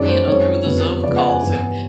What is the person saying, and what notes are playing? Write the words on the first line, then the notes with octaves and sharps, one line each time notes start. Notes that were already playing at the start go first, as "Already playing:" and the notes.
you know, through the Zoom calls and
Already playing: F#2 D#3 G#3 C#4 D5
C5
F#2 D#3 G#3 C4 C#5
F2 D3 G3 B3
C#3 F3 G#3 B3 D5
F#5
G#5
G2 E3 G3 B3